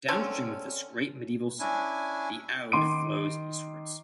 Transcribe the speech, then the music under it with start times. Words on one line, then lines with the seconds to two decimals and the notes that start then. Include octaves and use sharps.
Downstream of this great medieval city, the Aude flows eastwards.
0.08 D3 C4 C#4
1.60 C#4 D4 E4 G#5
2.72 D#3 C6 D6 D7